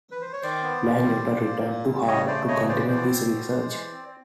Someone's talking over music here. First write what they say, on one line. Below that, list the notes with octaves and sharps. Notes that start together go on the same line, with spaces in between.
Land later returned to Harvard to continue his research.
B4
C5
C#5
D#3 C5 D5
B3
D#3
G3
A#2
A#3
A#2
G3
C#3 C#5 D#5
A3 C5 D5
C#3 C#5 D#5
E3 C5 D5
B2 C5 D5
C4
B2
G#3
E3
C4